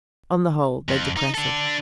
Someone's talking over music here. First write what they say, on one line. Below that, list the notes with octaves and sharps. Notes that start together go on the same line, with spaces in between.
On the whole they depress us.
F2
D#4
D4 A4